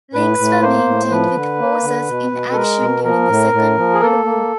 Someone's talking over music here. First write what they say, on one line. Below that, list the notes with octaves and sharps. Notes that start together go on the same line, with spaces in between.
Links were maintained with forces in action during the Second World War.
A2 B4
A2
A#3 C5
A2
F3 B4
D3
A#3
D3
B2
B2
A4
G#3 A#4
B2
F3 A#4
A2
A2
F3
G#4
A#3 A4
A#3